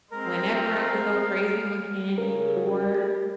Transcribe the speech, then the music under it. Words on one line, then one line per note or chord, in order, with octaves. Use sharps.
Whenever I would go crazy on candy or
G#3 C4 A#4
F5
C#3 A#4
G3